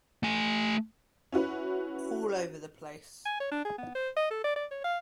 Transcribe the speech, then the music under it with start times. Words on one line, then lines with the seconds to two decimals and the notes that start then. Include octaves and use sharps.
All over the place.
0.23 A3 G#5
1.32 C#4 E4 F#4 B4
3.25 G#5
3.40 C#5
3.51 D4
3.65 G#4
3.78 B3
3.95 C5
4.16 D#5
4.30 A4
4.44 D5
4.56 D5
4.71 C#5
4.84 F5